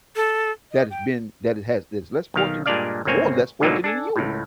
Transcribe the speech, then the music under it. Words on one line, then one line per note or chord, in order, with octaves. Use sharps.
that it's been that it has this less fortunate, more or less fortunate, than you were."
A4
D#5
G5
B1 D#3 F5
G2 A#2 G#3 D4 D5 F5
G1 C#2 A#3 C4 C#5 G#5
G#2 B2 D3 F#3 A#3 D#4
D4 A4 G#5
C#2 A2